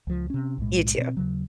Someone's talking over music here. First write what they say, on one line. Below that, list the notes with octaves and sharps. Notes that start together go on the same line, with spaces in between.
You too.
C#2 F3
C3 C#4
B1 A2 G#3
B2 A#3 C4
D#2 C#3 F#3